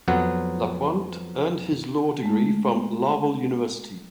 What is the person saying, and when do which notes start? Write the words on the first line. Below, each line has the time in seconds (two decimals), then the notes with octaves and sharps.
Lapointe earned his law degree from Laval University.
0.08 F2 F#3 B3 F#5
2.23 G#3 A3